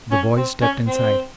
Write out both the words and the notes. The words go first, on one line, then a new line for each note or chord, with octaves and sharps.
The boys stepped inside.
C#4
C4
C#4
C4